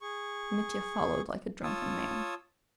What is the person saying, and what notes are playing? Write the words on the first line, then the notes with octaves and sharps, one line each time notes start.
Mitya followed like a drunken man.
G#4 C#6
F4 C#5 A5 D#6 E6